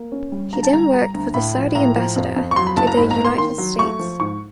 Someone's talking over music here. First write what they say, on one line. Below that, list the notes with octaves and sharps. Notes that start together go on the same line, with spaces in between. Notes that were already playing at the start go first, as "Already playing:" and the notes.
He then worked for the Saudi ambassador to the United States.
Already playing: A#3
C#4
G3
D3 A#5
A5
G3 A#5
G3 A#5
D2
A2 B5
F3
A2 A#5
F3
F2
F2
C#6
F#3 C6
B5
F#1 A5
A#5
G#2 B5
A#5
A#3
C6
D#3 C6
F#3
A3 C#6
F3
G#2 C#6